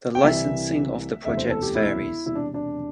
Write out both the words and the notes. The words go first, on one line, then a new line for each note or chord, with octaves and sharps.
The licensing of the projects varies.
G5
C2 C3 E3 E5
E1 D2 C3 E3 E5
C5
A4
G4
E4
E1 E2 C3 E4
D4
D4